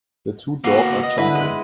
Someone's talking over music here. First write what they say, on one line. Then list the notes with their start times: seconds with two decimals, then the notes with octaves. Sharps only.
The two dogs are jumping.
0.64 A#3 B3 F#4
1.03 D#5
1.18 D3 E4 B4
1.35 G#3